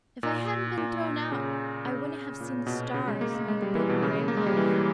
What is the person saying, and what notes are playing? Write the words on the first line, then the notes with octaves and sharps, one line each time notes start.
"If I hadn't been thrown out I wouldn't have seen the stars, nor the big gray wolf."
A#2
A#2
C#3
C#3
A#2
B2
C#3
G#3
A#3
A#3
G#3
G3
E3
B2
C#3
A#3
G#3
G3
E3